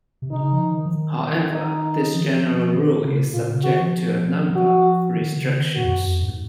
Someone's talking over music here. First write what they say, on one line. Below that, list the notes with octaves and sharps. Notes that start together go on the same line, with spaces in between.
However, this general rule is subject to a number of restrictions.
C3
C#3 D#4
F3
D#3
F3
D#3
D#4
F3
D#3
F3
D#3
C#3
C3
A#2 F4
C#3
D#3 F#4
F3
F#3
F3 F#4
D#3
C#3
D#3
A#2 F#4
F2
F#2
F2
G#2